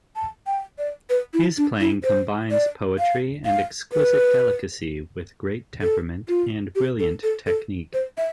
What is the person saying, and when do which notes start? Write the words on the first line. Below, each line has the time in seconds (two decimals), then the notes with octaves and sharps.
His playing combines poetry and exquisite delicacy with great temperament and brilliant technique.
0.16 A5
0.47 G5
0.78 D5
1.10 B4
1.34 E4
1.58 D4
1.80 E4
2.04 C5
2.51 D5
2.99 F5
3.45 F5
3.93 B4
5.82 A4
6.28 F4
6.75 G4
6.99 A4
7.23 A4
7.47 A4
7.94 C5
8.17 E5